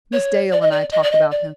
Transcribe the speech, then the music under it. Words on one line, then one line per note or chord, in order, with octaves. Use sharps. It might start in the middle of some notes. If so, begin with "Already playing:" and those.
Miss Dale and I talk about him.
C#5
D5
D#5
D5
D#5
D5
D#5
D5